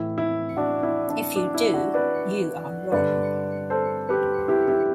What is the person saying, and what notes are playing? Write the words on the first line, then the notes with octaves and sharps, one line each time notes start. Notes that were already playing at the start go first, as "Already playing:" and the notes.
If you do, you are wrong.
Already playing: A2 E3 E4
E4
D4 F#4
E4
D4
D4
E4
D4 F#4
B4 D5
G2 D3 B4 D5
A4 C5
G4 B4
E4 G4
E4 G4